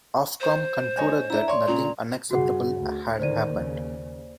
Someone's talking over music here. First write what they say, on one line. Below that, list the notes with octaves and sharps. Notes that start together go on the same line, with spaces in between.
Ofcom concluded that nothing unacceptable had happened.
C5
C#5 D#5 G#5
D4 E4 E5 A#5
C#5 D5 C6 C#6
A#2 C#3 A#5
G2 C#3 F#4 G#4 F#5
D2
A2 D3 D#3 C5 D5 D#7
D#2 C#3